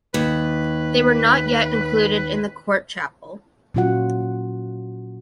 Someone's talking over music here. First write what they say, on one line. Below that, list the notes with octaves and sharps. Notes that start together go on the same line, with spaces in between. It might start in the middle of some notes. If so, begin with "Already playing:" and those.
They were not yet included in the court chapel.
D#2 B4
A#2 F#3 C#4 F4 F#4 F#5